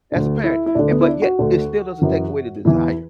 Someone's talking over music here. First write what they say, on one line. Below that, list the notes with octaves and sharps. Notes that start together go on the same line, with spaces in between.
as a parent, eh, but yet it still doesn't take away the desire,
D2 D3
E4
E4
D2 D3 D4
B3
E4
D4
F#4
D2 D3
F#2 E3
E2 E3 E4